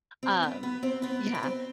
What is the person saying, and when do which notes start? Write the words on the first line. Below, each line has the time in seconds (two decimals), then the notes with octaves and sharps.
Um, yeah.
0.23 C4 C5
0.43 B3 B4
0.63 B3 B4
0.83 C4 C5
1.02 B3 B4
1.26 A#4
1.35 B4
1.43 C4 C5